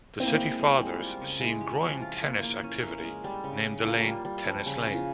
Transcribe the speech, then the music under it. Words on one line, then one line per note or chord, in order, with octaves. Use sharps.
The city fathers, seeing growing tennis activity, named the lane Tennis Lane.
C4 E4
A#3
C4
G#3
G#3
G3
F4
C#3
G#3 E4
G4
F3
F4
A#3
A#3
C#4
A#4
G#3
G3
C#3
C#3
A#3 F4
G3
G3
F3
C#3
C#3
F4